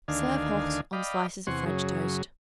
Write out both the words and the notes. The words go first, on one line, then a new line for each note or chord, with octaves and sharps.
Serve hot on slices of French toast.
D2 D#3 D4 F5 G#5
D5 D#5 F5 G5 B5
E2 C3 F#5 G#5 C6 C#6
F#2 C#3 F#3 G#4